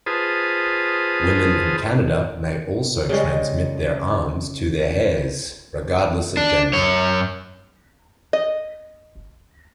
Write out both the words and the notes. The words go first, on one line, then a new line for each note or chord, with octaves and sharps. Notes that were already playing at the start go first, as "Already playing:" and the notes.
Women in Canada may also transmit their arms to their heirs, regardless of gender.
F4 G#4 B4 C5 A5 D#6
C#3 G3 G#3
D4
F#2 C#5
D#5